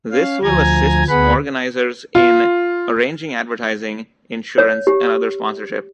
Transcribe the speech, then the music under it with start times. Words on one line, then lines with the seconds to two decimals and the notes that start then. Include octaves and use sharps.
This will assists organisers in arranging advertising, insurance and other sponsorship.
0.11 C#4 F5
0.44 D2 F3 G#5 A#5 G#6
1.09 D2 B3 G#4 B4 F#5 B5
2.15 F4
4.58 C#5
4.87 G4